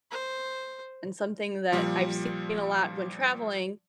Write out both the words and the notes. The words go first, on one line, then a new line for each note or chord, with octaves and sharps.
and something that I've seen a lot when traveling
C5
A#2 F3 G3